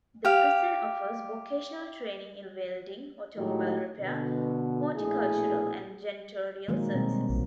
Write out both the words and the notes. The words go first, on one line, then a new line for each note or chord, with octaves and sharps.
The prison offers vocational training in welding, automobile repair, horticultural, and janitorial services.
G4 F5
A2 D#3 F#3 G#3 D#4 G4
B2 D3
A#1 B2 A3 E4 G#4
D#3 F#3 G#3 A#3
B2 G3 C4
A#1